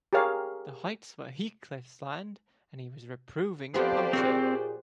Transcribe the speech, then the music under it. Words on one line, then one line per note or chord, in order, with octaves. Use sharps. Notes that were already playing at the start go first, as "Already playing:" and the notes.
The Heights were Heathcliff’s land, and he was reproving the poacher.
G4 G#4 A#4 C#5 F5
F3 B3 C4 F4 G4 A4 C5 D5
A#2 C4 F#4 G#4 A#4 C#5